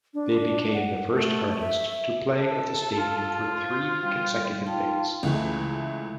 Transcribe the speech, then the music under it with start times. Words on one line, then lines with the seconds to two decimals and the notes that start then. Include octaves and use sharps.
They became the first artist to play at the stadium for three consecutive days.
0.14 D4
0.74 F#5
1.13 A3
1.59 E5
2.37 A4
2.98 F4
3.52 C5
4.00 G3 F5
4.66 D#4 F4 G5 A5
5.23 C#2 E3 G#3 A3